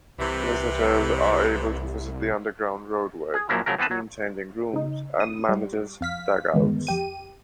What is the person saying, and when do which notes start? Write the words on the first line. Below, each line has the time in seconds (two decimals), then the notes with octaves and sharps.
Visitors are able to visit the underground roadway, team changing rooms and managers dugouts.
0.18 C2 C3 E3
3.34 G#4
3.49 F#2 A#2 F3 F#3 A#3 E4
3.66 C#3 F3 F#3 A3 A#4
3.79 E3 B3 C4 B4 A5
3.91 F#3
4.73 C#3 D#4
5.20 D#6
5.49 G3
6.01 F2 F5 B6
6.54 E2 G2 D3 D#3 G#3 B3
6.87 F2 G4 D#7